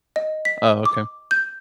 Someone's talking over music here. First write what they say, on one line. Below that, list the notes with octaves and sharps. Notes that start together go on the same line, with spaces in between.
Oh, okay.
D#5
B6
D6
G6